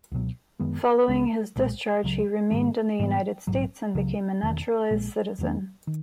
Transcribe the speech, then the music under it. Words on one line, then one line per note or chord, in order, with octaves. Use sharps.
Following his discharge, he remained in the United States and became a naturalized citizen.
C#2 B2 F#3
F#2 D#3 G#3 B3
C#2 C#3 G#3 C#4
B1 A#2 G#3
C#2 C#3 F#3
G#2 D#3 G#3
G#2 E3 G#3 B3
A#1 G#2 F#3
C#2 C#3 F#3
E1 E2 D#3
A#1 A#2 G#3
E2 D#3 F#3 A#3
D#3